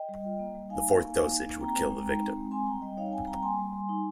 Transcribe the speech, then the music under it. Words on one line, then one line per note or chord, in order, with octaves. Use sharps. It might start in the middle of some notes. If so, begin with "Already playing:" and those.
The fourth dosage would kill the victim.
Already playing: D#5 G5
G3
F4
A#3
G3
D#4 F5 G#5
A#3
D#4
A#3
D#4
A#3
C4 G5 A#5
G#3
G#3
D#4
C4
G#3
C4 G#5 C6
G3 G5 A#5
G3 D#5 G5
D#4 C#5 F5
G5
C4 F5 G#5
G3 G5 A#5
A#3 G#5 C6
G3
G3
D#4